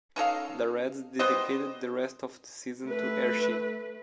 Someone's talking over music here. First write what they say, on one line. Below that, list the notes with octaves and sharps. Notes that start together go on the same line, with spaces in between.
The Reds dedicated the rest of the season to Hershie.
C#4 D#4 A4 F5
G3 B3 C5 D#5
A3 B4